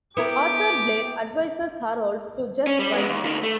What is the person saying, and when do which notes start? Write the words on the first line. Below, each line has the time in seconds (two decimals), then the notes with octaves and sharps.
Arthur Blake advises Harold to "just write".
0.17 B3 E4 G4 A#4 D6
2.67 C#4
2.79 G3
2.92 G#3 B3
3.09 D#2
3.24 D2 D#3
3.43 A3